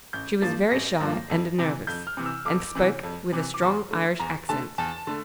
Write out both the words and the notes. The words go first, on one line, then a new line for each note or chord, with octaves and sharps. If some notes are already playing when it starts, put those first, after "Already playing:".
She was very shy and nervous, and spoke with a strong Irish accent.
A1 G6
G2 F3 A#3 A6
A1 A#6
G2 F3 A#3
F2
C3 E3
F2 G6
F6
C3 E3
E6
F2 D6
C3 E3
F2
C3 E3
D6
E2 C6
D3 A3
E2 A#5
D3 A3 A5
E2 A5
D3 A3